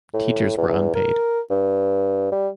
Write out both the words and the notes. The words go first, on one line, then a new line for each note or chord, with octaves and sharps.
Teachers were unpaid.
A2
E2
A#4
G2
G3